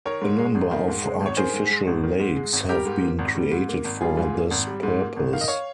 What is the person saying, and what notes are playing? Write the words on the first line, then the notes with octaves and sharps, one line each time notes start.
A number of artificial lakes have been created for this purpose.
D#3 A#4 C#5
G#2
G#3
G#1
D#3
G#2
G#3
G#1
C#5
D#3 G#4 C5
G#2
G#3
G#1
D#3
G#2
G#3
G#1
G3 G4 A#4
G#2
A#3
G#1
G3
G#2
A#3
G#1
G3 F4 G#4
G#2
A#3
G#1
G3
G#2
A#3
G#1
D#3 F5
D#5
C#5 F5